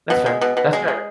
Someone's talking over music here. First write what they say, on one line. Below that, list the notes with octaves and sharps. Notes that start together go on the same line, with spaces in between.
That's fair that's fair,
B2
G#3
B2
B2
G#3
G#3